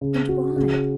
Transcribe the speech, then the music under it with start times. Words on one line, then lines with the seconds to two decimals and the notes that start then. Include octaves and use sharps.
And why?
0.01 C#3
0.29 F#4
0.56 C#3